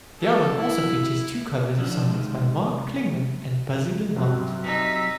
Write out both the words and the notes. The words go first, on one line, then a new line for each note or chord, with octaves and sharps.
The album also features two covers of songs by Mark Klingman and Buzzy Linhart.
A4
E4
D3 F3 C#4 D4 E4
C3 D#3 G#3
G2 C3 F#3 F#4
D#4 E6 B6